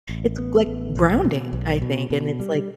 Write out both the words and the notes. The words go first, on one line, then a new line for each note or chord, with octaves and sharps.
It's, like, grounding, I think, and it's like,
A1
B3
A1
B1
B2
B1
B2
B2
G3